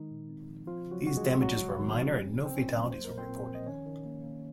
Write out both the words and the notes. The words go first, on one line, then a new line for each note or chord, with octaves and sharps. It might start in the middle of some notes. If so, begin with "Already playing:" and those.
These damages were minor, and no fatalities were reported.
Already playing: D#3 G#3 D#4
A#2
C4
F3
F3 C4 F4
C#3
F#3 F#4
C#3 F#4
G#3 G#4
F3
F#3 G#3 F#4
C3
D#3 C4 D#4
F3
C4 C#4
C3
C4
C3 C#4
F#3
A#3 C5
A#4
A#2
C4 C5
A#2
F3
D#5
D#3 C#4 C#5
D#3
A#3
A#3